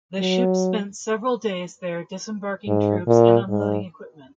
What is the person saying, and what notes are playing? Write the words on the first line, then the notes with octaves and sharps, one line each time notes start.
The ship spent several days there disembarking troops and unloading equipment.
F#3
G#2
A#2
G#2